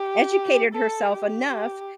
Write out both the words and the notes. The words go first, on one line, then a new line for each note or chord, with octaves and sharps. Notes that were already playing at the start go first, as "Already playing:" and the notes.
educated herself enough
Already playing: G4
A4
G4
G4